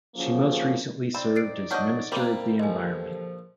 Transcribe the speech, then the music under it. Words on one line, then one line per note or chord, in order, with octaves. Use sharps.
She most recently served as Minister of the Environment.
C#3 F3 F#3 A#3
C4 D#4 D5 B5 E6
A6 C7 D7
F#3 D4 D#5 F#5 F6 G6
C3 G3 A#3 A#4 B5 D6
A#1 G2 D3 F3 D#5 G#5